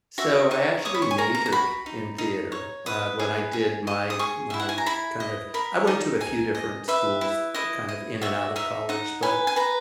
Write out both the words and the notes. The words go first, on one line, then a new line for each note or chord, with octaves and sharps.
So I actually majored in theater, uh, when I did my my kind of I went to a few different schools kind of in and out of college, but
F#4 E5
D#4 C#6
C#5 D#6
B5
C#6
G#5
A#4 A#5
A#5
A#5
F#4 B5
D#4
D#4
C#5
B4 D#6
G#4
G#4
D#5
D#6
G#4 C#6
E4 E5
F#5
G#5
A#5
E4 B5
D#5
A#4 B5
D#4
D#4 G#5
D#5
B4 E5
E4
E4 D#5
D#5
F#4 E5
D#4 E5
D#4 F#5
B4 G#5
G#5
B4 A#5